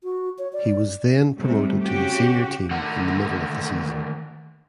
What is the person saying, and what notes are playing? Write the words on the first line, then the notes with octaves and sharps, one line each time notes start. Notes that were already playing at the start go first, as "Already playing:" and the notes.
He was then promoted to the senior team in the middle of the season.
F#4
C#5
D5
C3 G3 A3
C#3 C#4 F#4 G4
D3 D#3 A3 F#5